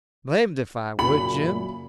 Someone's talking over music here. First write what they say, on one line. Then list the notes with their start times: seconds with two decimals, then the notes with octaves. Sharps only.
"Blamed if I would, Jim."
0.99 F#2 A#2 C#3 B5